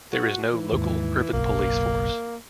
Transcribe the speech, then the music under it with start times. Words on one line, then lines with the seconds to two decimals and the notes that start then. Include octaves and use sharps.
There is no local urban police force.
0.12 F#4
0.53 E3
0.72 D#2 G#2
1.33 F#1 B1 A#3